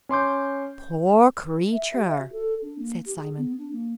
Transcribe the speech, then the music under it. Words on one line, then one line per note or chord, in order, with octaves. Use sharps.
"Poor creature!" said Simon.
C#4 C6 D6 G6
E5
G4
E5
F#4
A4
D4
A#3
G4
G#4
B3
D4
A#3